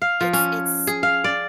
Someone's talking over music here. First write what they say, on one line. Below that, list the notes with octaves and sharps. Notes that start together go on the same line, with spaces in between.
it's it's
F5
F3
C#4
G#4
F5
D5